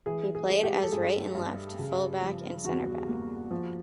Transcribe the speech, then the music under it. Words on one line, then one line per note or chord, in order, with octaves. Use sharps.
He played as right and left full back and centre back.
E3 G#4
G#4
G#3
G4
A4
G2 G#4
G2
C#3
F3
E2 F#4
A#3
F3